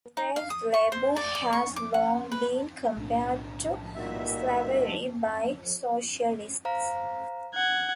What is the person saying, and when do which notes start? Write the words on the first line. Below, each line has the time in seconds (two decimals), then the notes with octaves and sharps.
Wage labour has long been compared to slavery by socialists.
0.17 D#4
0.36 F5
0.50 D#6
0.74 C#6
0.92 C5
1.16 D5
1.35 D5
1.53 C#6
1.76 D6
1.94 F#5
2.32 B4
2.97 B1 A2 D4
3.95 G2 A#2 A#3 D#4 F#4 E5
6.65 C5 F5 A#5
7.55 F#5 G#6